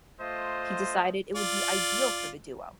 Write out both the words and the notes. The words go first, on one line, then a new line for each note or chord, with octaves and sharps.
He decided it would be ideal for the duo.
A3 F4 C5 D#5
F4 D5